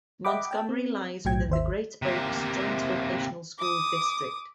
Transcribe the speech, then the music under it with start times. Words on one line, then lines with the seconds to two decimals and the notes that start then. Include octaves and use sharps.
Montgomery lies within the Great Oaks joint vocational school district.
0.25 D#5 E5 F#5 G5 B5 D6
0.51 G5 A5
0.69 C4
1.25 B1 A2 F#3 G5 G#6
1.49 G#1 D#2 C5 E5
2.02 C3 A#3
3.58 D6 D#6